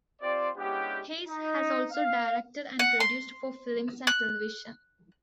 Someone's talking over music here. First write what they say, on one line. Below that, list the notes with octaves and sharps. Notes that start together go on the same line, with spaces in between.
Hays has also directed and produced for films and television.
C4 F4 G4 C5 D5
G#3 B3 C#4 D4 E4 G4
D#4
F5
F#5
C6
F#6